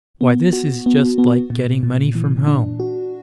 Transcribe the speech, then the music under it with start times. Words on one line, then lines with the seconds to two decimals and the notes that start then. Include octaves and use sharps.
"Why, this is just like getting money from home."
0.21 B3
0.53 F#4
0.86 B3
1.18 B3
1.50 A#2
1.83 A#2
2.15 E3
2.47 D4
2.80 F#4